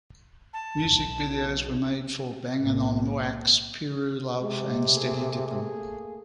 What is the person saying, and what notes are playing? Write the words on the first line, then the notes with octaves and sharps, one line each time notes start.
Music videos were made for "Bangin' on Wax", "Piru Love" and "Steady Dippin"'.
A5
B1
B1 A2 G#3 A#3
C3 G#3
A3 A#3 G#4